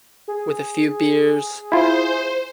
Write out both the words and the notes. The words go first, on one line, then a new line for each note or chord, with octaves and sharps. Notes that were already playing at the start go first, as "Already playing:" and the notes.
with a few beers,
G#4
E4 F4 C5